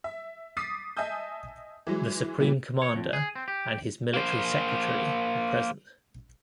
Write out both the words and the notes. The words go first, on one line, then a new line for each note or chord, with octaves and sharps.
The Supreme Commander and his Military Secretary were present.
E5
D6 D#6 A6 B6 C7
D#5 E5 G#5 A5 D#6 G6
E3 F#3 G#3
A#2 E3 F#3 G3
C#5
F2
G#4
C4
G4
A#3 C5